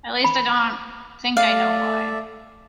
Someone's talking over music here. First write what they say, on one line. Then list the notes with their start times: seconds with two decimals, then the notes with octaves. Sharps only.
At least I don't think I know why.
0.24 B5
1.37 A3 A4 D5 E5 F5